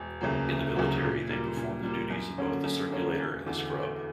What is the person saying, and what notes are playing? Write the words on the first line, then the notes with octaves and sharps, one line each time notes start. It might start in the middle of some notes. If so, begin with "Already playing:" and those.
In the military they perform the duties of both the circulator and the scrub.
Already playing: E1
D2 C#3 F#3 A#3
E1
D2 C#3 F#3 A#3
A#2
G3 A#3
A#2
G3 A#3
F#2
D3 A#3 C#4
F#2
D3 A#3 C#4
E1
E2 D3
E1